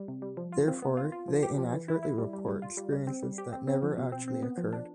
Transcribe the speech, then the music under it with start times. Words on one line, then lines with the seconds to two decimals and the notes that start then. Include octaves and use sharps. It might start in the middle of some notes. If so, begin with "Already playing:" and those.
Therefore, they inaccurately report experiences that never actually occurred.
Already playing: G3
0.08 C3
0.22 G3
0.37 F3
0.52 F4
0.68 C4
0.82 B3
0.97 F4
1.12 F4
1.28 F3
1.43 G4
1.58 F3
1.73 E3
1.88 E4
2.03 E4
2.18 G3
2.33 G3
2.48 G3
2.62 F4
2.77 G3
2.93 G3
3.07 C4
3.23 G3
3.38 G4
3.53 C4
3.67 C4
3.83 F3
3.97 B2
4.12 C4
4.28 C4
4.43 B3
4.58 F3
4.73 D4